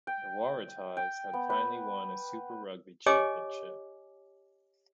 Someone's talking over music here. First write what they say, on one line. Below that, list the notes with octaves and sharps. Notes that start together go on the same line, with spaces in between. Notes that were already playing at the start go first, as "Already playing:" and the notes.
The Waratahs had finally won a Super Rugby Championship.
G5
G5
B3
B4
G4 C#5 D#5 G#5 D6